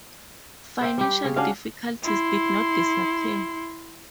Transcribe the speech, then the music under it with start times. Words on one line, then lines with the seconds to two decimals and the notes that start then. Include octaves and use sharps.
Financial difficulties did not disappear.
0.81 C5 E5 G5
0.98 G3 G4
1.24 C#3 C#5
1.36 C#4 D4 F#4 F5
2.03 E4 C6